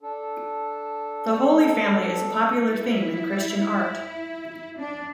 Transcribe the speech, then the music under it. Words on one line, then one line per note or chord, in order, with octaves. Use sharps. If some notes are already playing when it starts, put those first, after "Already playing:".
The Holy Family is a popular theme in Christian art.
D4 A4
E4
D4